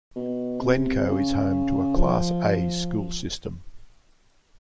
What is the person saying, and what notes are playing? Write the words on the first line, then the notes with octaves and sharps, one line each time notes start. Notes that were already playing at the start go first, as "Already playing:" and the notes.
Glencoe is home to a Class A school system.
B2
C3
C#3
F3